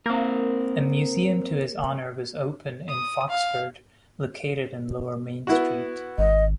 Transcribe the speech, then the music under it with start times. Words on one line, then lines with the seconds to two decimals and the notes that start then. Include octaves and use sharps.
A museum to his honour was open in Foxford, located in Lower Main Street.
0.06 A#3 C4 A#4
2.88 D#6
3.30 F5
5.47 B3 E4 F#4
6.18 G#1 D#5